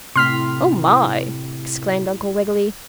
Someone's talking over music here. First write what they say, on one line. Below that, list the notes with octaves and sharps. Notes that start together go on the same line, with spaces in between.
"Oh, my!" exclaimed Uncle Wiggily.
A2 C3 E4 C6 F6 B6